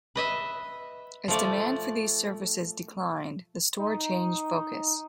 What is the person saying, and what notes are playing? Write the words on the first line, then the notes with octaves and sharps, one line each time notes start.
As demand for these services declined, the store changed focus.
B4 D#5 E5
F3 A3 D5
D#4